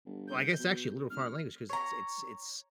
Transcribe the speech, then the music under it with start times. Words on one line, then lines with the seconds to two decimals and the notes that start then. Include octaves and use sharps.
well, I guess actually a literal foreign language 'cause it's it's it's
0.05 G1
0.27 G6
0.59 B2
1.10 E1 F6
1.69 C#5 A#5